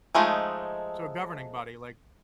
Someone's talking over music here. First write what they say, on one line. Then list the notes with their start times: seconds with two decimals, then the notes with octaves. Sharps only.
So, a governing body, like
0.14 F3 G#3 A3 D#4